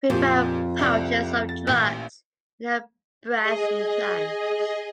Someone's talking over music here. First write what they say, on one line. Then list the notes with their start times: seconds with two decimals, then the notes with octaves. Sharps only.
We found pouches of drugs in her breast implants.
0.10 F2 A#2 G4
0.79 C2 D5
1.49 A6
1.67 A1 A#2
3.38 G#4 D#5